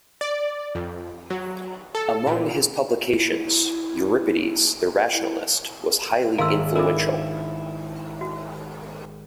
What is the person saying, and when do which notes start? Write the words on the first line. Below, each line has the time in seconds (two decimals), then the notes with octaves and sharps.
Among his publications, "Euripides the Rationalist" was highly influential.
0.21 D5
0.75 F2
1.30 F#3
1.95 A4
2.27 A#2
3.12 E4
5.13 E4
6.38 G#1 A#4 E5 F5 C6 E6 F6
6.76 D4 E4 F4 A#4 D6
8.21 F#4